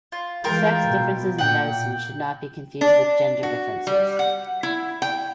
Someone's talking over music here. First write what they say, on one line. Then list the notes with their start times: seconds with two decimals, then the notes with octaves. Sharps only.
Sex differences in medicine should not be confused with gender differences.
0.12 F4
0.44 E3 G#3 F4 A#4 G5
0.87 B2
1.38 A#2 F#5 G5
2.81 D4
3.43 F#4
3.87 G3
4.19 F#5
4.63 E4
5.02 G5